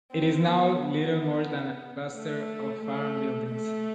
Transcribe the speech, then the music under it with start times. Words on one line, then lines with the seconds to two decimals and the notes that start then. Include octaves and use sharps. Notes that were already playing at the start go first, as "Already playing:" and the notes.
It is now little more than a cluster of farm buildings.
0.12 C4
0.46 B3
0.79 B3
2.15 A3
2.82 A3
3.50 A3